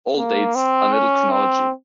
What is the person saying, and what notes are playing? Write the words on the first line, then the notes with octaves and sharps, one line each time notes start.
All dates are middle chronology.
A#3
C4
C#4
C4